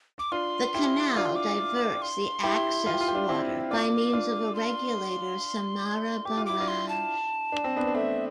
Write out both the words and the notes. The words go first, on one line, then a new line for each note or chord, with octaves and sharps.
The canal diverts the access water, by means of a regulator Samarra Barrage.
D6
D4 F4 C6
E4 G4
D4 F4 D6
C6
D6
C6
E4 G4
F4
G4
F4
G4
D4 F4
C4 E4
D4 F4 D6
D4 F4
C6
G4 D6
F4
E4 D6
D4 F4
C6
A5
D4
C4
B3 D4
D4
A3 C4 E5